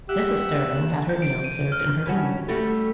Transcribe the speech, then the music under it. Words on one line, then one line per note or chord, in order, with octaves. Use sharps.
Mrs. Sterling had her meals served in her room.
G4 E5 F#5
G6
D7
D#7
F6
G2 C#4 F#4
G3 A3 F#4